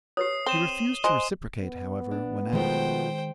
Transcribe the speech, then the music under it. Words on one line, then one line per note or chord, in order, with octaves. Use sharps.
He refused to reciprocate, however, when asked.
G4 B4 C#5 D#6 C7
C4 D#7 E7 G7
C5 D#5 G#5 C6
B3
D4
B2 D#3 F3 G#3 A3 C5 G5